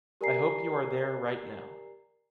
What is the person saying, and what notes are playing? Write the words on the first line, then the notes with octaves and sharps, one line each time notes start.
I hope you are there right now.
G4 A#4 D5 G#5 A#5 C7